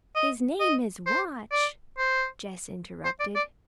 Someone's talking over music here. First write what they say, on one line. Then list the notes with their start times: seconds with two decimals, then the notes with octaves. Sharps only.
"His name is Watch," Jess interrupted.
0.15 D#5
0.60 D#5
1.06 C5
1.52 D5
1.98 C5
3.04 C5
3.20 D5
3.35 D5